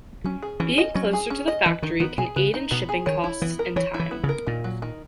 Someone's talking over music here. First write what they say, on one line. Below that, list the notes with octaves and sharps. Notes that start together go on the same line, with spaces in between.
Being closer to the factory can aid in shipping costs and time.
F#3 C#4
G#4
E3 C#4
D#5
F#3 C#4
G#4
C#4
D#5
E3 B4
D#3 D#4
D#3 B3
B2 G#4
C#3 B4
D#4
B2 B3
G#4
D#3 C#5
E4
E3 B3
A#4
E3 C#5
E4
E3
B3
C#3
A#4
A#2 D#3
F#3
D#3